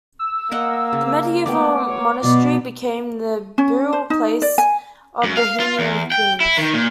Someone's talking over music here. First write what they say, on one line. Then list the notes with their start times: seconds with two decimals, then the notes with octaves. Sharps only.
The medieval monastery became the burial place of Bohemian kings.
0.19 E6
0.51 A#3 A#4 D#5 F#5
0.93 C#3
1.46 A3 B3 G5 D6
1.88 C#5
2.23 B2 F#3 D5
3.58 C#4
3.93 C5
4.10 D#4
4.42 D5
4.58 G#5
5.24 F#2
5.37 F5
5.60 F4
5.79 E2
6.12 G5
6.40 E4
6.57 D#3
6.74 A#2